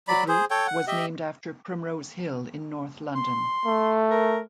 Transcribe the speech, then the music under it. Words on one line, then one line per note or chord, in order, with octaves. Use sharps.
The group was named after Primrose Hill in North London.
F#3 D5 B5
G#4 C5
A4 C#5 G5
F#5
G4 D#5 E5
C6
A3
A#4